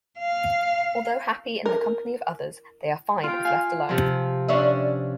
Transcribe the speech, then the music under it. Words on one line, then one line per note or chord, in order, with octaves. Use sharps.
Although happy in the company of others, they are fine if left alone.
F5
A#4
F4 G5
F5 G#5
C3 F3
C#4 D4 E5